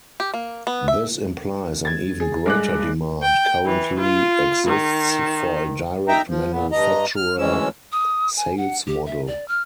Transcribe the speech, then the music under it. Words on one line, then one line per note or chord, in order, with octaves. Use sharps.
This implies an even greater demand currently exists for a direct manufacturer sales model.
G4
A#3
B3
E5
G#6 A6
G#4
G2 G#3 D6 F#6
G5
E3
F4
D#3
D#4 E5 G5 A#5
F3
A#2 B3
G2 D#5 A#5
F6
D2 E3 G#3 C#4 E6
D#6
G#5
F#5
G4
E5
D5
F6